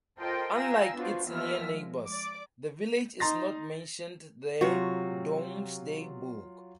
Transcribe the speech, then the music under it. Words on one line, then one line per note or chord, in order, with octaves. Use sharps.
Unlike its near neighbours, the village is not mentioned the "Domesday Book".
F4 A4 A#4 C5 D#5 G5
F5 G5 G#5 A#5 E6
B3 D4 F4 F#4 C5
D#2 A#2 F3 B3 E5 F6
G#3
D5 D6
D#4 A#5 C6 A6 A#6
C3 F#3 F4 F#4